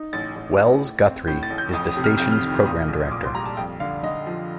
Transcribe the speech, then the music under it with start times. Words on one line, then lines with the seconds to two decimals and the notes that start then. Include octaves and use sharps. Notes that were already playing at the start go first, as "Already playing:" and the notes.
Wells Guthrie is the station's program director.
Already playing: D#4
0.13 A1 A6
0.36 A1
0.59 A2
0.82 A2
1.05 C4
1.28 A2 G6
1.43 A6
1.50 A1
1.58 G6
1.73 F2 D#6
1.89 D#6
1.97 C3
2.04 F6
2.18 F2 G6
2.32 F6
2.42 D#3
2.65 A#2 D#6
2.88 A#1
3.11 A#2 D6
3.23 C6
3.34 G3 A#5
3.46 A5
3.57 F2 G5
3.80 D3 F5
4.03 D3 D#5
4.26 F3